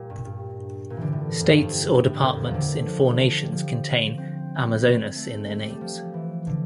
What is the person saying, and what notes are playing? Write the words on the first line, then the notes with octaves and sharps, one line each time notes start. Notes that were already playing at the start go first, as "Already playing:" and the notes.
States or departments in four nations contain "Amazonas" in their names.
Already playing: A#2 G3 A#3
G2
G2
A#2
D3 E3
A2
F2
G2
A2
A#2
F2
E2
D3
F3
G3
F3
C4
A3
A3
G3
G3
F3
E3
D3